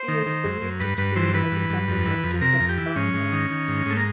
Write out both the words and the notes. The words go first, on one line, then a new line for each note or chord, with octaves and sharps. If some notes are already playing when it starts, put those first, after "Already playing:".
He is believed to be a descendent of Jakob Boehme.
Already playing: C5
D#3
D#3
F#2
F#2
G2 B4
G2 B4
E3 C5
E3 B4
G2
G2
F2
E3
F2
C3 A#4
F2
G4
E3
G#2 C#4
G#2
D#3
D#3
G#2
G#2 A3
A#3